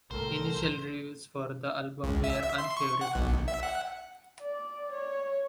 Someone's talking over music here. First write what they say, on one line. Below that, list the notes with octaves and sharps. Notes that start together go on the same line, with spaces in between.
Initial reviews for the album were unfavorable.
C2 A2 A4 A#4 C5
C#2
E5
E5
C6
C#6
F#5
B1
E5
F#5
D5
C#5